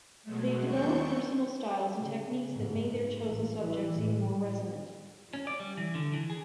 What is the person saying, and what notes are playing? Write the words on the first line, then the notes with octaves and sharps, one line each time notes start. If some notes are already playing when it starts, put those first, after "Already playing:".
They developed personal styles and techniques that made their chosen subjects even more resonant.
B2 F#3 G#3 A3
D#2 B3 C4 D4 C#6 G6
C#3
G#2
A1
E3
A2
C#4
D5
G3
E3
D3
E3
G#4